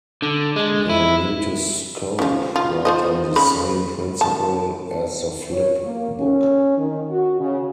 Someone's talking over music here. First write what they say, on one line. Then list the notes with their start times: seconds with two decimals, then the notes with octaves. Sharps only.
The Mutoscope worked on the same principle as the flip book.
0.22 D3
0.56 G#3
0.90 E4
2.19 F3 C#4
2.56 F4
2.85 F4 C5 D#5
3.36 C#3 B5
4.21 A5
5.53 C#5
5.85 A#3
6.19 C#4
6.78 D#3
7.10 F#4
7.40 C#3